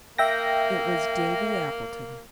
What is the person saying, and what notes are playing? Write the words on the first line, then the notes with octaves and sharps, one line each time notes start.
It was Davy Appleton.
A#3 E5 G5 A#6